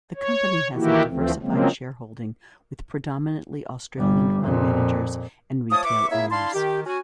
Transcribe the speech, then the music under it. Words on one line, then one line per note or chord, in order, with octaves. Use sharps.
The company has a diversified shareholding with predominantly Australian fund managers and retail owners.
C#5
D#3 E3 A#3 E4 F#4 G4
D2 E3 F3 A3 C4
C#3 F3 F#3 G#3 A#3 C4
G1 G3
F2 A#2
F3 A3 C#5 A5 D#6
E4 B4 E5 C#6 D6
A#3 B3 E4 G#4 C#5 E5
D4 E4 F5 A5 C6
D#3 G4
C#4 F#4 G#5